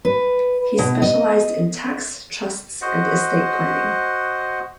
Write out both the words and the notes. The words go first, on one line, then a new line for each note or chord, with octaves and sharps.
He specialised in tax, trusts, and estate planning.
B4
B2
D#5
F#4 C5 D#5 F#5